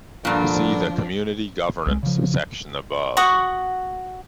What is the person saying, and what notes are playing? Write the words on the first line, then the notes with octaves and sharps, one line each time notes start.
See the "Community governance" section, above.
G2 A#2 D3 F3 D4
C2 G#3
C#3 F3
F#4 F#5 C#6 D#6